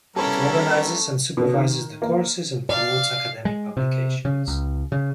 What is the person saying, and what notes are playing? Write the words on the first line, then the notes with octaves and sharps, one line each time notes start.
It organizes and supervises the courses and promotes academic publications.
G3 B3 C#4 E4 A4 A#4 C#5
B2
D#3
A#3
D5 F5
G#3
C3
C#3
C#2
C#3